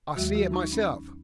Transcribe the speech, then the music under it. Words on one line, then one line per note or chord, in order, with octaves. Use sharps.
"I see it myself."
D#2 D#3 F#3 G#3 F#4
F#3 F#4
D#4
C#4